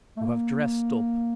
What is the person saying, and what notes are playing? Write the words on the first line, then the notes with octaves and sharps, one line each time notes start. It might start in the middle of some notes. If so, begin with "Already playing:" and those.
You have dressed up.
A3
A#3